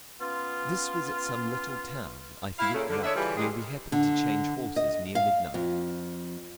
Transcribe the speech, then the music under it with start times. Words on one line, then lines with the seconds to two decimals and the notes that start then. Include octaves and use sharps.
This was at some little town, I forget what, where we happened to change horses near midnight.
0.21 B3 C#4 F4
2.59 E4 F5
2.74 A#2 C#3 A3
2.89 D3
3.04 D3 D4 C#5 D#5 E5
3.15 C#3 E3 G3 C#4 F4
3.37 D#3 G3 G#3 C#4 G4 G#4
3.92 D3
4.76 D#5
5.15 F5
5.54 F2